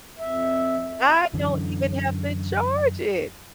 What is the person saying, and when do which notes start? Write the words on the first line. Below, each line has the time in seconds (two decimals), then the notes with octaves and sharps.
I don't even have to charge it!
0.19 F2 E5
1.33 F#2 D3 E3 C#4